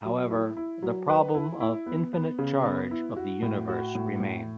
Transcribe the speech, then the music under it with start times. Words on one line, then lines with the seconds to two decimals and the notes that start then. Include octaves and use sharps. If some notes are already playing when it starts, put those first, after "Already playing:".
However, the problem of infinite charge of the universe remains.
0.05 F#3
0.31 E4
0.57 E4
0.82 F#3
1.09 B4
1.34 E4
1.60 E4
1.86 B3
2.13 B3
2.39 C#3
2.65 B3
2.91 E4
3.17 F#4
3.42 A2
3.69 F#4
3.95 A2
4.20 A2